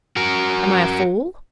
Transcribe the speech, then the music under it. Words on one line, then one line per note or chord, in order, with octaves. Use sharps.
"Am I a fool?"
F#4 A#4